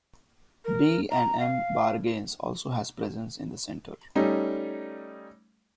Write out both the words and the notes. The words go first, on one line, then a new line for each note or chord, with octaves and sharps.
B and M Bargains also has presence in the centre.
A#4
A#5
F5
G3 A3 C#4 D#4